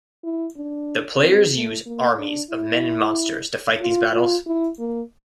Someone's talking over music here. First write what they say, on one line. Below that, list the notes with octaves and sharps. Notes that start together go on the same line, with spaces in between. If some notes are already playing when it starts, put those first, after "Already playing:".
The players use armies of men and monsters to fight these battles.
E4
D4
C4
A3
A#3
D4
E4
F4
F4
E4
A#3